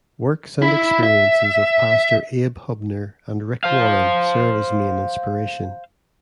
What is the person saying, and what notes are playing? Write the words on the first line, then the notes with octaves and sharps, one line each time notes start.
Works and experiences of pastors Abe Hubner and Rick Warren serve as main inspiration.
E4
E5
C5 F5